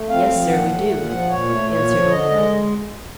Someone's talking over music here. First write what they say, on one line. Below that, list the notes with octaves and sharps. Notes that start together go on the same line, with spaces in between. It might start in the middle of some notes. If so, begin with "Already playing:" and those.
"Yes, sir, we do," answered Old Matt.
Already playing: A3
C4 F5
F3
A#2 F#5
A3
A#2
F3
A#2 C#5
A3
A#2 C#5
F3
D3 D#5
G#3